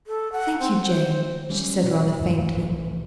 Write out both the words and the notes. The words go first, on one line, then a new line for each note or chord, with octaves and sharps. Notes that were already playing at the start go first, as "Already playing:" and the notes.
"Thank you, Jane," she said rather faintly.
A4
F#5
C4
C5
G3 C#4
B2
E2 G2 E3
C2 A2 E3